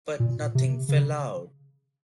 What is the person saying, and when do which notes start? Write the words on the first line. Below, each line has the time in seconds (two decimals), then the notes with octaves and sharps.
But nothing fell out.
0.20 A#2
0.55 C3
0.89 C#3